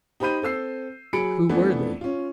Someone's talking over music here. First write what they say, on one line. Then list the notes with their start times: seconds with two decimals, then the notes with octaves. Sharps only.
Who were they?
0.20 D#4 G4 C5 B5 G6 D#7
0.42 C4 A4 E6 C7
1.13 F#3 G#4 B5 C#7 D7
1.49 F2 E3 F3 A3 B3 D4
2.01 C#4 F4